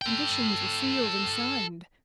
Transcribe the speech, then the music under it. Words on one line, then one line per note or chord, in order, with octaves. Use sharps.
Conditions were sealed and signed.
A4 G5